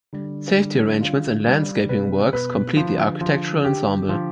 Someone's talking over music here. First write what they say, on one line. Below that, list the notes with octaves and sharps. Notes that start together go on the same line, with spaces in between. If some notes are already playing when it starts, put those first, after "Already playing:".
Safety arrangements and landscaping works complete the architectural ensemble.
D3 G3
G3
F4
G3
D3
C3 B4
B2 B4
D3 F3
D#3
D3
F3
G4
F3